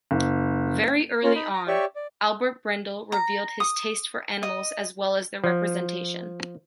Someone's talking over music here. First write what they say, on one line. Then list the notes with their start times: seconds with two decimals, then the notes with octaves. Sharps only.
Very early on, Albert Brendel revealed his taste for animals as well as their representation.
0.11 F#1
1.23 A#3 C#4 F4 A#4 C#5
1.35 D#4 B5
1.53 A#5
1.67 G4 C#5 D5 E5 C#6
1.96 D5
3.12 A#5
3.60 D#6
4.43 D#5
5.44 F3